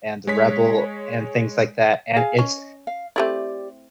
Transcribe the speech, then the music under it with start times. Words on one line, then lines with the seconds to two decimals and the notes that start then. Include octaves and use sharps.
and The Rebel, and things like that, and it's
0.27 G#3 C#5 B6
2.16 G#4 F5 G#5
2.39 C#4 D#5
2.87 F5
3.16 A3 C4 E4 G4 D5